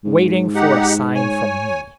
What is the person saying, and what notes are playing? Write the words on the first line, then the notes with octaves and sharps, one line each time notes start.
Waiting for a sign from me.
G#2
D#4 G4 F#5
C#5 G#5